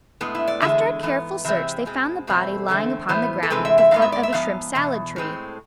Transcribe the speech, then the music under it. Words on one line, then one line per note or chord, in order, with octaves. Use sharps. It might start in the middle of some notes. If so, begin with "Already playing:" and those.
After a careful search they found the body lying upon the ground at the foot of a shrimp-salad tree.
A2 G#3 B3
E4
D5
E2 D3 G#3 E5
G#2 E3 B3
C3 E3 G#3 C4 E5
B2 G#3 C4
E2 B2 A3 C4
E2 D3 A3 C4
A2 E3 B3 C5
A4
C3 E3 G#3 C4 B4
E5
E5
G#2 G#3 B3 F5
E5
D5
E5
G#2 F3 B3 F5
E2 B2
A2 G#3 C4